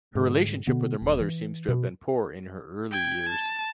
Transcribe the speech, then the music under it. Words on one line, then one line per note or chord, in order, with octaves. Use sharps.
Her relationship with her mother seems to have been poor in her early years.
G#2 D3
B2 D3 B3
D#1
E3
B2
G5 G#6
A5